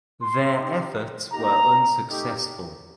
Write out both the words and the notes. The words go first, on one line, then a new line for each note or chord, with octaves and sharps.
Their efforts were unsuccessful.
C6
C4 D#4 G4
A#3 D#4 G4 A#5
A3 D#4 G4